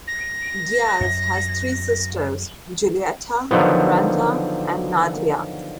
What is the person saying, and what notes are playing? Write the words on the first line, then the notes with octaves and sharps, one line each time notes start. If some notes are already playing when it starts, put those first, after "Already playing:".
Diaz has Three sisters, Julieta, Brenda and Nadia.
A#6
F#2
D3 D#3 F3 F#3 B3